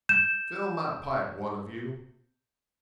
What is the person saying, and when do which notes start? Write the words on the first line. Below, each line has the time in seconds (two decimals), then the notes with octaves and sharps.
'Fill my pipe, one of you.
0.09 G6 E7